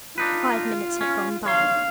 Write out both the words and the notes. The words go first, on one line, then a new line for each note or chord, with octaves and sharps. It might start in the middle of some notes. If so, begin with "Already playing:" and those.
Five minutes had gone by.
D4 D#4 F4 B4
C#4
C#5 F5 C6